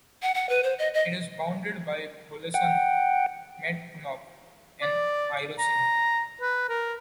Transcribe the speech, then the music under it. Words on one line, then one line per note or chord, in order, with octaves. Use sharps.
It is bounded by Bulusan, Matnog and Irosin.
F#5
F#5
B4
C5
D#5
D#5
F#5 G5
D5
A#5
B4
A#4